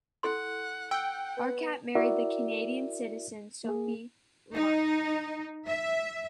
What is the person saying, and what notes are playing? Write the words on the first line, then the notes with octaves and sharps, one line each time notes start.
Harkat married the Canadian citizen Sophie Lamarche.
E4 A4 F#5 C6
F#5 G5 E6
B3
E4 F#4 A#4 D5 E5
A#3 G#4
D#4
E5